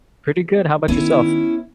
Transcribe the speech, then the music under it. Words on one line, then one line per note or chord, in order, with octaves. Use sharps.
Pretty good. How about yourself?
D#3 B3 C#4 E4